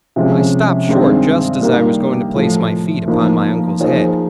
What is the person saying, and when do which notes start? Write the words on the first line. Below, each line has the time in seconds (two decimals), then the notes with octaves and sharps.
I stopped short just as I was going to place my feet upon my uncle's head.
0.16 C3 F3 G#3 C#4
0.89 G2 D#3 G#3 C4
1.61 G3 A#3 D#4 G4
2.35 A2 F3 A3
3.08 F3 A#3 D#4
3.80 F3 A#3 D#4 G#4 C5